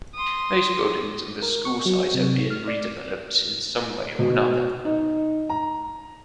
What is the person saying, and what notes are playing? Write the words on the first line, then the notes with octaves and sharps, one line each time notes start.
Most buildings on the school site are being redeveloped in some way or another.
C6 D#6
A#4
C#6
F#3
C3
F6
D5
B2
D#4
A#5